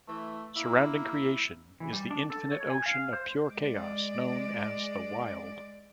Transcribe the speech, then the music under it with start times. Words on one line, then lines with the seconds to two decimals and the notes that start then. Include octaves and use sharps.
Surrounding Creation is the infinite ocean of Pure Chaos known as the Wyld.
0.08 E3 A3
0.56 A#3 E4
1.80 E3
1.93 G3
2.11 D4
2.30 A4
2.52 C#5
2.70 G#5
2.86 F5
3.13 C5
3.50 G#3 D5